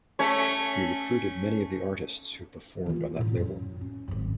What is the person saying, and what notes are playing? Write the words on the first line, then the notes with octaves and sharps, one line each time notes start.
He recruited many of the artists who performed on that label.
A3 C#4 C#5
E3 F4
A2 D3
F#2
C#4
G#1 F#2